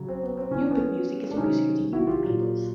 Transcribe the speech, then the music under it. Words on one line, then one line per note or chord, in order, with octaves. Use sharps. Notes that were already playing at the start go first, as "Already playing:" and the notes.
Yupik music is the music of the Yupik peoples.
Already playing: C#3 F#3
C4
B3
C4
C#3 E3 C#4
D4
B3 C#4
D4
C3 D#3 F#3 C#4 D#4
E4 F#4
F4 G4
A#2 F#3